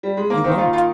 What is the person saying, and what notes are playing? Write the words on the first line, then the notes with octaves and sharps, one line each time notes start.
"You won't!"
G3
G#3
A#3
D#3 A#3 C4 D#4
F4
F4